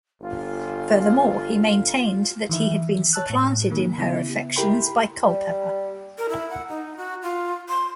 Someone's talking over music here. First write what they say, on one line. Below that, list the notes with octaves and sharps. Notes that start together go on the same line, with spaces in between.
Furthermore, he maintained that he had been supplanted in her affections by Culpeper.
G1 F4
D#3 E3 E5
C#5 A5 E6 F#6
A2
D#3 A#3
C#3 B3 E4
E4 G4 A#4 G5 B5 C6
G3
A#4
E4
F#5
D#4
F#4
F4
C6